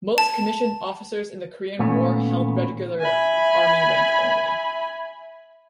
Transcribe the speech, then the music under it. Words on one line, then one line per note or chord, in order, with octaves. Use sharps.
Most commissioned officers in the Korean War held Regular Army rank only.
A5
A#2 D#3 A3 B3 C#4
E5 G#5 B5